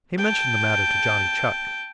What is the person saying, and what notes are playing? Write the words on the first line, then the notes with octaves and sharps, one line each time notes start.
He mentioned the matter to Johnny Chuck.
G5 A5